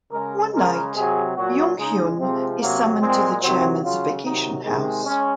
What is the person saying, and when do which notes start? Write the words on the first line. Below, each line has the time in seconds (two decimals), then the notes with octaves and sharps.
One night, Jung-hyun is summoned to the chairman's vacation house.
0.12 C#3 G#3 A#4
0.53 C#3 G#3 A#4
0.94 C3 F#3 G#4
1.36 A#2 F#3 F#4
1.77 C#3 G#3 D#4
2.18 C3 F3 G#3 C4
2.59 C3 F#3 A#3
3.00 A#2 G#3 C4
3.41 C3 D#3 F#3 C4
3.82 C#3 F#3 F4
4.23 C3 D#3 F#3 D#4
4.65 C3 D#3 G#3
5.05 G#3 C#4